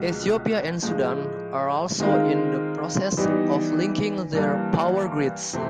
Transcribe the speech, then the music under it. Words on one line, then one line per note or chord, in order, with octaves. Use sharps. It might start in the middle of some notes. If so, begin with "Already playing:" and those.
Ethiopia and Sudan are also in the process of linking their power grids.
Already playing: C#2 B2 G#3
A2 F3 G#3
D#3 G#3 C4 F4 A#4
E3 G3 B3 D#4 G4
G2 E3 G3 A#3
C3 E3 A3 C4 E4